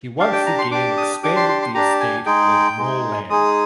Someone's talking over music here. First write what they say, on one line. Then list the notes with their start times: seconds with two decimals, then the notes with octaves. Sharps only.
He once again expanded the estate with more land.
0.19 D4 G4 F5
0.33 G5
0.46 A#5
0.58 C6
0.71 D4 G4 D6
0.97 D#6
1.24 D4 G4 D6
1.36 C6
1.49 C6
1.62 C6
1.74 D4 G4 A#5
2.00 G#5
2.26 G#3 D#4 G#4 G5
2.78 G#3 D#4 G#4
3.30 G#3 D#4 G#4 D#6